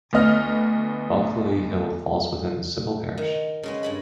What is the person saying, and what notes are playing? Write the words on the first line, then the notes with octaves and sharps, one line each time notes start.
Bulkeley Hill falls within the civil parish.
D2 B3 D#5 F6
D#3
C#3 G#3 B3
G2 G#3 B5